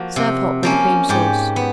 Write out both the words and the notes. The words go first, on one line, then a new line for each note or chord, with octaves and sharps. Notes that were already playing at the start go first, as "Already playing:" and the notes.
Serve hot with a cream sauce.
Already playing: F3 A#3 F#4
C3
F3 A#3 C#4
G#2 G4
B3